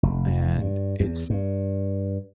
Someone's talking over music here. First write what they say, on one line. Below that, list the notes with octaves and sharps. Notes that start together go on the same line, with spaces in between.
and it's
F1
G2
E2
G2